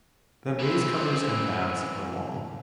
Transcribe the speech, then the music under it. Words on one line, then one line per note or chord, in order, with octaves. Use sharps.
The maze covers and paths are long.
E3 C4